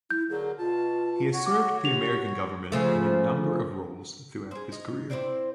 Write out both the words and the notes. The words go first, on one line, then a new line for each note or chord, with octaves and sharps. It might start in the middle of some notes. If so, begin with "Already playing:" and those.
He has served the American government in a number of roles throughout his career.
E4 G6
D3 F#3 A#3 G#4
B2 F4 A5
F#4 C#5 F#5
D6
G4 F7
C#3 F3 A3
G#4 C5
D#4
C4 E4 C5 D5